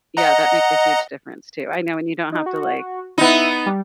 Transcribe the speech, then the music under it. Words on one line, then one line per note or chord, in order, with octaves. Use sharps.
Yeah, that makes a huge difference, too. I know when you don't have to, like,
D#5 F#5 A#5
D#4
F#4
B3 D#4 E4
G3